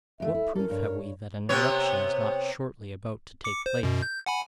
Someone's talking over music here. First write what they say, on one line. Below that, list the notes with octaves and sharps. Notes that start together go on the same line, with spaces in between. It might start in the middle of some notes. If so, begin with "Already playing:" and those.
What proof have we that an eruption is not shortly about to take place?
F2 G#3 A3 E5
E4
C#4 A4 A#4
G2 C#5
C3 B3 C#5
D6 C#7
C5
F#2 B2
G6
F#5 G#5 B5